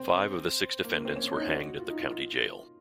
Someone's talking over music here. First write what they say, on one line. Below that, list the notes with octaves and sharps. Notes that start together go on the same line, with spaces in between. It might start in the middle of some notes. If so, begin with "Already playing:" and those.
Five of the six defendants were hanged at the county jail.
Already playing: C4
A#3
A#3
C4
C#4
D#4
F#4
F4
D#4
F4
F4